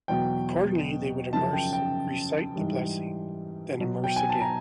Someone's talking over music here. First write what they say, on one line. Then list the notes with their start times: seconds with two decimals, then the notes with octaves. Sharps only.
Accordingly, they would immerse, recite the blessing, then immerse again.
0.08 E2 B2 F#3 G5
1.33 F#2 C#3 F3 A5
1.53 G5
1.73 G5
2.56 G#2 E3 G3
3.80 B2 F#3
4.04 G5
4.16 G#5
4.29 A5
4.41 A#5